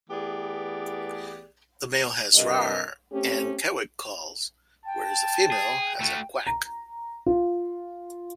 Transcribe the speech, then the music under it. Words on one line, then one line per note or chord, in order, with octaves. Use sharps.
The male has "rarr" and "cawick" calls, whereas the female has a "quack".
E3 A3 B3 G4 G#4 D5
G2 C3 A#4 D#5
A3 C4 C#4 G4
G5 A5
G#4
A3 F#4
A#5
F4